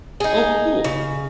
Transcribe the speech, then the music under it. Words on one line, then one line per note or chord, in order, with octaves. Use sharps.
Oh, cool.
D#4 G#4
C#3